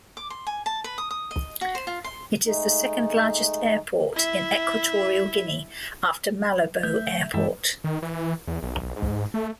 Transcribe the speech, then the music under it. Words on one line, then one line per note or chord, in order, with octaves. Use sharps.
It is the second largest airport in Equatorial Guinea, after Malabo Airport.
D6
C6
G#5
A5
B4
D#6
D#6
D#5
F#4
C5
F4
C6
G#3 A3 D#4
E4 E5
A3 E5 G6
G2 E3 G#3 E4 A4 G5
D#3
E3
E2
B1
G#2
A3